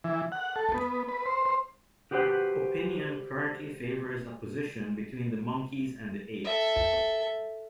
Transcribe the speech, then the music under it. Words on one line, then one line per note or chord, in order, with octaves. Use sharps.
Opinion currently favors a position between the monkeys and the apes.
E3
F#5
A4
B3
B4
C5
C5
F#4 G4 B4 C5 E5 F#5
A4 E5